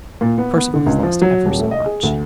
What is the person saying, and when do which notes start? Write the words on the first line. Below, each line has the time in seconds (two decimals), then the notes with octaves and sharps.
"Percival has lost ever so much."
0.21 A#2
0.38 B3
0.56 B3
0.74 D3
0.86 C#2
1.03 F3
1.22 F#3
1.46 D#1
1.59 A3
1.71 D#5
1.86 G#4
2.03 D2